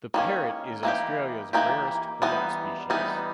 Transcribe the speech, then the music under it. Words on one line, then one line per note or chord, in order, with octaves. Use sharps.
The parrot is Australia's rarest bird species.
D#3 G3 A#3 C#4
E3 A#3 D#4 G4
E3 A#3 D#4 G4
E3 G3 B3 D#4
E3 G3 B3 D#4